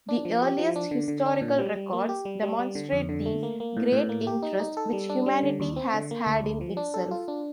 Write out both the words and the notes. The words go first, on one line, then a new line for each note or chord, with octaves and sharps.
The earliest historical records demonstrate the great interest which humanity has had in itself.
D4
F3
G4
F3
D4
D3
D3
D4
A#2
G3
G3
A#3
G4
G3
G3
G3
D3
F2
D3
A3
A#3
A#3
A2
A2
A#3
G4
D#4
D#4
A4
G3
D4
G3
D3
D#2
C4
D3
A#3
D2
D2
F3
D4
A4
F4
D4